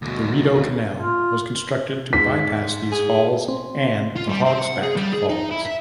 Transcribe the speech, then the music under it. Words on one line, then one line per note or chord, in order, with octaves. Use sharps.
The Rideau Canal was constructed to bypass these falls and the Hog's Back Falls.
D2 B2
F4
E2 G#2 B6
G#4
C4
F4
G3
C4
F#5
G#4
G3
G#4
D#4
E4
E5